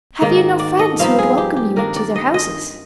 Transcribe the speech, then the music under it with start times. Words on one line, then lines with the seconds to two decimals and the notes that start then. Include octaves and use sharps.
'Have you no friends who would welcome you into their houses?'
0.21 G#2 D#3 A#3
0.60 D5
0.79 D#5
0.99 G2 F3 C4 D#4 F5
1.19 G#4
1.38 G4
1.56 G4
1.76 D#3 A#3 D4 A#4
1.96 D5
2.16 D#5
2.34 D#5